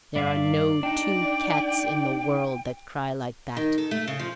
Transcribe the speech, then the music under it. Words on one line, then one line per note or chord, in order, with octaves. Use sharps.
There are no two cats in the world that cry like that.
G2 D5 E5 F5
D4 D#4 G5
D#3
A4
A3
C#3
F3